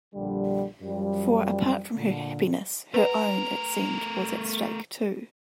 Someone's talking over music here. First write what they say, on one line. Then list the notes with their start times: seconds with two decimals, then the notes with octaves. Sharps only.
For apart from her happiness, her own, it seemed, was at stake too.
0.15 A#1 D3 G3
0.81 F#2 F3 G3
1.95 A#2 D3
2.94 A3 A#4 B4 F#5